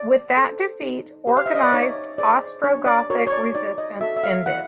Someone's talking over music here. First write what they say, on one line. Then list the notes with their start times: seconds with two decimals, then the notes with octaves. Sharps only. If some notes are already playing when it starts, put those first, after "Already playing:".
With that defeat, organized Ostrogothic resistance ended.
Already playing: D5
0.37 A4 C5
0.82 D#4
1.27 G4 C5
1.37 F5
1.46 E5
1.55 D#5
1.64 D5
1.73 D#4 C#5
2.18 G#4 C5 D5
2.64 D4 C#5
2.86 D5
3.10 F#4 A#4 C#5
3.27 C#5
3.32 D5
3.55 D#4 D5
3.78 D#5
4.00 F#4 A4 E5
4.17 E5
4.24 F5
4.46 E4 F#5